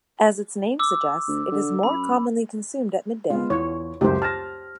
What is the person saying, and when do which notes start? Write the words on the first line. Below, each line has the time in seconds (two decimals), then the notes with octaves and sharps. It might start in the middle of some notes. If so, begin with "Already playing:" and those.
As its name suggests, it is more commonly consumed at midday.
0.79 D6 E6
1.28 D2
1.52 D3
1.83 F#2 B5
3.30 G#3 B3 F4
3.50 E2 C#5
4.01 C#2 F#2 G4 C5
4.22 A5 F6 A#6